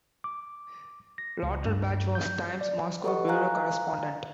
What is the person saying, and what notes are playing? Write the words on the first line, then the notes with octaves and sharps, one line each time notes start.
Lauterbach was "Time's" Moscow bureau correspondent.
D6
A#6
C#2
G2
G6
D5
G4 A4 B4 D#5 F#5 C#6
F5 G#5 A#5 F#6